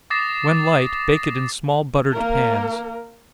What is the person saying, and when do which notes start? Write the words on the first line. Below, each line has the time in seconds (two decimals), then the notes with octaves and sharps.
When light, bake it in small buttered pans.
0.10 D6 D#6 A6 A#6 C7 E7
2.12 A#3 A#4